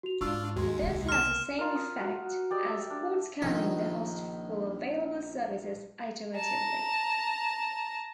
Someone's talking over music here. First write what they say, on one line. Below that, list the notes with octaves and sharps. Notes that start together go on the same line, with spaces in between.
This has the same effect as port scanning the host for available services iteratively.
F#4 F7
G#2 D4 F4 C#6 E6 F6
D#2 G#3 F#4 C6
C2 C#3
C6 F6 E7
F4 A#4
D#6
F#4
G4 D5 D#5
E5
D4
A#1 D#3
A5 A#5